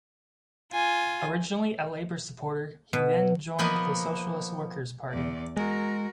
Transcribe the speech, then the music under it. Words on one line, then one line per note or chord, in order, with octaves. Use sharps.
Originally a Labour supporter, he then joined the Socialist Workers Party.
F4 G#5
B2
F3 A#3 B3 B4 D#5
E2 D5
G#3 F#4 A#4